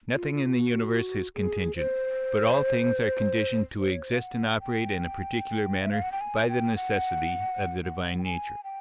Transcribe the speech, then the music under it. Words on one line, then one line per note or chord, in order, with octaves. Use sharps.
Nothing in the universe is contingent, but all things are conditioned to exist and operate in a particular manner by the necessity of the divine nature.
F4
F4
F#4
G#4
C5
C5
C#5
C5
F5
F#5
G5
E5
F5
F#5
G5
G#5
G5
F#5
F#5
G5
G#5
G5